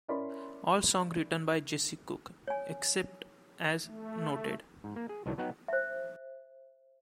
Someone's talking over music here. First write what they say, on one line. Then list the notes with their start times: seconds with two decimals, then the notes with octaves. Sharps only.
All songs written by Jesse Cook except as noted.
0.08 C#4 E4 A#4 D5 B5 C6
2.48 C#5 G#5
3.85 A3
4.84 G#2
4.96 A#3
5.09 G#4
5.26 C2 D#3 E3 F#3 D4
5.38 F#3 B3 D#4 F#5 G5
5.68 C5 E5